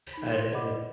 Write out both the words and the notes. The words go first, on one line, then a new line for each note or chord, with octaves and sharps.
uh, with
D#4 B5
A4 C6 G#6
C5 D5 D#5 F#5 B5 D6
B4